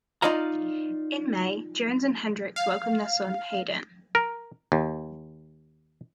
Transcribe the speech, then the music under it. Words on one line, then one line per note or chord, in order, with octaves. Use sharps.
In May, Jones and Henricks welcomed their son, Hayden.
D#4 F4 D5 D#5 F5 A#5
F5
A#4
D#2